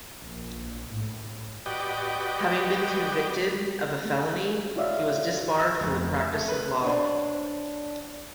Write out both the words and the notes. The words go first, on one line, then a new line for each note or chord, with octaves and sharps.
Having been convicted of a felony, he was disbarred from the practice of law.
A#1
A2
F#4 G4 B4 D5 D#5 G5
A3
E4 F#4 C#5 D5 E5 F5
E6
F1
E5
A3
B4
D4 C5 C#5